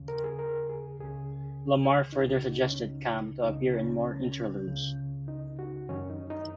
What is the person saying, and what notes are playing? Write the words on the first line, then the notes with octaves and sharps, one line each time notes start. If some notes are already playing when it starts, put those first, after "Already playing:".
Lamarre further suggested Cam to appear in more interludes.
Already playing: D#2 C#3
A#4
G#4
A#4
G#4
C#2 C#3 G#4
D#4
C#2 C#3 F#4
D#4
C#4
D#4
C#2 C#3 D#4
C#4
C#2 C#3
D#4
F#4
F#2 D#3 C#4
D#4
D#4